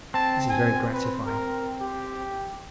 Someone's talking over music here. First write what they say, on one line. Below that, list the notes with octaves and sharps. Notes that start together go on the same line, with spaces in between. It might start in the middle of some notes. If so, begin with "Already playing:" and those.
This is very gratifying.
C4 A5
G#5
B4
A#4
G4